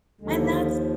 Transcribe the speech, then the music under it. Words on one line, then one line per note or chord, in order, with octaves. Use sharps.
and that's
D#2 D3 F3 G#3
A#2 A#3